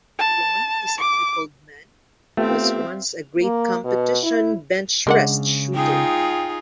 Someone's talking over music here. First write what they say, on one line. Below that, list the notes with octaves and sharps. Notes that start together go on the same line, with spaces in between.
Lon is a crippled man, who was once a great competition benchrest shooter.
A5
D6
A3 B3 C4 F4 G4 E5 F5
A#3
B2
E4
C#3 G#3 D4 F#5
D#4 F4 G#4 G5